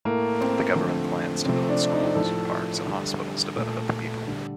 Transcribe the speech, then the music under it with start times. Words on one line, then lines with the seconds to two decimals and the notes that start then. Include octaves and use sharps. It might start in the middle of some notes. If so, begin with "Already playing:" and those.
The government plans to build schools, parks, and hospitals to benefit the people.
0.05 A2 A3 A#3
0.41 C4
0.75 D3 F3 A3
1.45 C3 F3 A3 C4
1.69 D4
1.93 D#4
2.15 A2 F3 A3 A4
2.87 D3 G3
3.56 A#2 A3
4.27 D3 G3